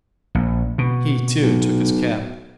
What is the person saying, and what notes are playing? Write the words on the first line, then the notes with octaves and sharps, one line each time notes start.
He, too, took his cap.
A#1
B2
B1